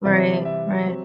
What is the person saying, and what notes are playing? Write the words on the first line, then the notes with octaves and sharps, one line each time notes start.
Right. Right.
C3 E3 G3 C4 D5
E5
F#3 C4